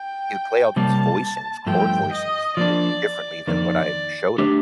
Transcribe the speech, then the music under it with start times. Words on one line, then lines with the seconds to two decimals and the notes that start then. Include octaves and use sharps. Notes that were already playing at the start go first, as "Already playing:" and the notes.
you'll play all these voicings" chord voicings di differently than what I showed him,
Already playing: G5
0.76 C3 G3 A#3 A5
1.67 G2 F3 A3 G5
2.12 D#5
2.57 F3 A#3 D4 D5
3.47 F2 D#3 A#3 D5
4.38 D#3 A3 D4 G4